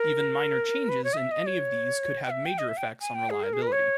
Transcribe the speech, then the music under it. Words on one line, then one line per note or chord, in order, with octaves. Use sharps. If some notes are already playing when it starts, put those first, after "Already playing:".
Even minor changes in any of these could have major effects on reliability.
Already playing: A#4
B4
C#5
D#5
E5
D#5
C#5
G5
E5
G5
D#5
E5
G5
G#5
G5
G#4
A#4
G#4
A#4
B4
C#5